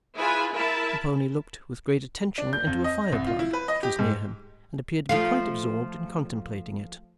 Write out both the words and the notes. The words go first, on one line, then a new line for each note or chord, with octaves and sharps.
The pony looked with great attention into a fire-plug which was near him, and appeared to be quite absorbed in contemplating it.
E4 F4 G#4 B4 G#5
E4 A#4 E5 A5
D4
G6
F2
D#5
C2
F4
E4
B4
D#5
G4
G#2
F3 A3 F4